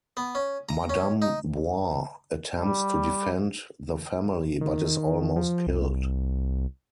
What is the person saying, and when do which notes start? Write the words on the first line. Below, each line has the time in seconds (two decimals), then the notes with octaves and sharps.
Madame Wah attempts to defend the family, but is almost killed.
0.17 B3
0.35 C#4
0.69 A#5
0.90 C#4
1.22 D#4
2.56 G3
4.61 D#3
5.36 F3
5.67 C2